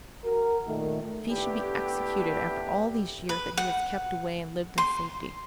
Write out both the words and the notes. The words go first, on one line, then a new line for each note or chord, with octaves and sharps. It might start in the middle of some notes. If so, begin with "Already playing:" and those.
If he should be executed, after all these years that he has kept away and lived in safety!
F#4 A#4
A#2 D#3 A3
A3 B3 D4 E4 G4
B4
F#5
C6